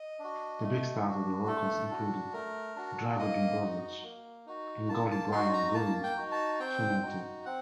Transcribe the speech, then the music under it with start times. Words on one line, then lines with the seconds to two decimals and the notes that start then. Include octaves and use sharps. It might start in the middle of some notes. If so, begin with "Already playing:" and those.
The big stars of the Rockers included Drago Dumbovic and goalie Bryan "Goose" Finnerty.
Already playing: D#5
0.19 D4 F#4
0.62 A3
1.05 D4 F#4
1.47 A3 A4
1.90 D4 F#4
2.33 A3 A#4
2.76 D4 F#4
3.19 A#3 D#5
3.61 D#4 F#4
4.03 A#3
4.46 D#4 F#4
4.89 A#3 A5
5.11 A5
5.32 D#4 F#4 C6
5.54 A#5
5.74 A#3 A5
6.03 G5
6.17 D#4 F#4
6.32 A5
6.60 C4 G5
7.02 D#4 F#4
7.45 C4 F#5